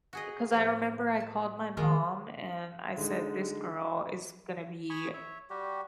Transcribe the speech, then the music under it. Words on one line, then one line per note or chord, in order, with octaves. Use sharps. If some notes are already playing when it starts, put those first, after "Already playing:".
'cause I remember I called my mom, and I said, "This girl is gonna be"
F#4 G#4 D#5
A2 F3 B3
A5
D#3 E3 G#3 A#3 F4
D3 G#3 D#4
G#5 B5 C#6 D#6
C#5 E5
G3 F#4 G4